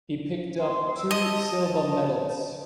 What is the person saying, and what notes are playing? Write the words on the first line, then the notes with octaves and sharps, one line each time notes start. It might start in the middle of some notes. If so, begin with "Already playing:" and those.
He picked up two silver medals.
D#2 B3 C6
E6
D#5 A5